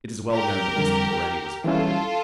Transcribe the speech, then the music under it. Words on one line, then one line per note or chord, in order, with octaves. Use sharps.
It is well known that Mr. Baretti was acquitted.
G4 A#4
F2 D3 G3
E3 G3 C#4 E4 F4 A4